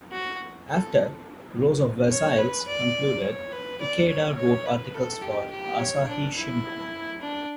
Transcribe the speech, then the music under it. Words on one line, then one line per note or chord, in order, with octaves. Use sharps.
After "Rose of Versailles" concluded, Ikeda wrote articles for Asahi Shimbun.
F#4
A4
C#5
B4
D5
C#5
B4
D5
C#5
C#5
B4
A4
G4
G4
C#5
D4
E4
D4